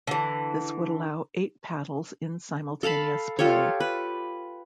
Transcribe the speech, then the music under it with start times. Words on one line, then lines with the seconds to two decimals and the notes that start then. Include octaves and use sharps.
This would allow eight paddles in simultaneous play.
0.07 D3 E3
2.83 A4 F5 A5 B5
3.39 F4 G4 A4 C#5
3.80 B4